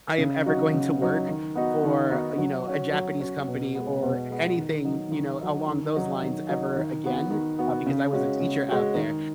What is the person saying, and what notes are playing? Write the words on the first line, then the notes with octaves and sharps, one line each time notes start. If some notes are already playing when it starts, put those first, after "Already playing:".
I am ever going to work for, you know, a Japanese company or anything, you know, along those lines ever again, uh, because I was a teacher out there,
C#3
F#3 D#4 F#4
C#3
F#3 D#4 F#4
D#3
B3 D#4 F#4
D#3
B3 D#4 F#4
F#3
C#4 F#4
F#3
C#4 F#4
B2
G#3 B3
B2
G#3 B3
D#3
F#3 D#4
D#3
F#3 D#4
D#3
F#3 D#4
D#3
F#3 D#4
D#3
B3 F#4
D#3
B3 F#4
C#3
G#3 C#4 F#4
C#3
G#3 C#4 F#4
D#3